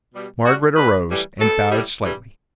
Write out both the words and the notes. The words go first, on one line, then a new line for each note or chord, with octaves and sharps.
Margaret arose and bowed slightly.
B2 G3
A2 G3 F#4
B2 G3 B4
A2 E3 G3
B2 F#3 A4
A2 G3
G2 E3 G3